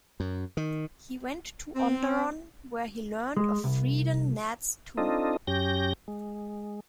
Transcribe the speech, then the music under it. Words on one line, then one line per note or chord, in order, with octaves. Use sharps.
He went to Onderon, where he learned of Freedon Nadd's tomb.
F#2
D#3
C4
G#3
C2
C4 D4 D#4 F4 A4 D#5
F#2 C#4 G4 G6 A#6
G#3